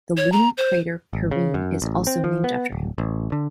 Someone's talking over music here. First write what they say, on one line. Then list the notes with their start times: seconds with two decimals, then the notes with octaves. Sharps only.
The lunar crater Perrine is also named after him.
0.17 C#5
0.32 A#5
0.58 C5
1.13 G#1
1.31 C#3
1.54 F#2
1.82 A1
2.07 C4
2.24 F3
2.44 B3
2.72 D1
2.98 A1
3.32 D3